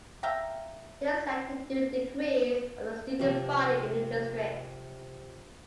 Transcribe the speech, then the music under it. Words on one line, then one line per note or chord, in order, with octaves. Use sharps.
This led to the decrease of the student body in the district.
E5 F5 G5 A#5
C3 F3